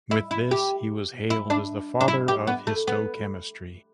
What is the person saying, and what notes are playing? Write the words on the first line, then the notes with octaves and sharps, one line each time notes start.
With this, he was hailed as the "father of histochemistry".
E4
E4
G4
E4
D4
D4
E4
G4
B3
A3
B3